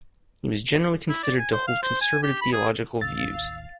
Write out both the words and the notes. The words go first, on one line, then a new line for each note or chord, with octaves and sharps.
He was generally considered to hold conservative theological views.
E4
D5
G#5
C5
F5
C5
G#5
G4
B5
G#4
A1 D#2 F5 E6 A6